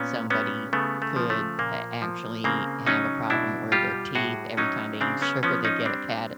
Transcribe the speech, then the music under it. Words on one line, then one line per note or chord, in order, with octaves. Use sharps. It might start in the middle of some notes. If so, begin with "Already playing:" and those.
Somebody could a actually have a problem where their teeth every time they eat sugar, they get a cad
Already playing: A#2 B3 C#4
G3 B3 C#4
C#3 A3 B3
A3
F3
A3
A#2 A#3
F3
C#3 A#3 C4
F#3 C#4 D#4
B2 D4 E4
G3 F4 G4
A2 F#4 G#4
F#3 C#4 D#4
C#3 C4 D4
B3 C#4
F3 B3 C#4
C#4 D#4
G3 C4 D4